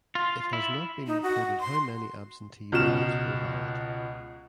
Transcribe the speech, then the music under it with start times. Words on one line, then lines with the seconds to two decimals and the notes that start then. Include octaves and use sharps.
It has not been reported how many absentee ballots were valid.
0.15 F4
0.53 E4
1.07 D#4
1.23 F#4
1.60 C6
2.72 C#2 B2 F6 E7